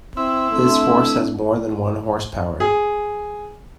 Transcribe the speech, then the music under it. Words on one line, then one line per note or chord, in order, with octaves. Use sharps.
This horse has more than one horse power.
C4 E4 C6
A3 C4 D4
G#4